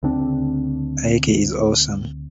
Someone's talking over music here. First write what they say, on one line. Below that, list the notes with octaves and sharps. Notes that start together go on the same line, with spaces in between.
Ikey is awesome.
D2 C#3 C4 D4